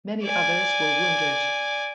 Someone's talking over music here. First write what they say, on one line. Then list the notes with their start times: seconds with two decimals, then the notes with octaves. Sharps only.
Many others were wounded.
0.23 D5 G#5